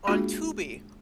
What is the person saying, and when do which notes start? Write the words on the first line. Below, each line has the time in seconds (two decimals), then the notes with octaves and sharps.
on Tubi
0.07 G#3 A#3 D4 F4 F#4 G#4